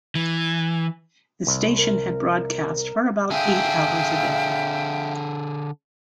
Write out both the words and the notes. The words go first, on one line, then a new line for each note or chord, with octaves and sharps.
The station had broadcast for about eight hours a day.
E3
C2
A#4
D3 G#4 E5 F5 G5